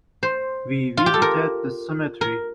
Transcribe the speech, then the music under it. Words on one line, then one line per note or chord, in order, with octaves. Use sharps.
We visited the cemetery.
C5
F4
G4
A4
A#4
A#4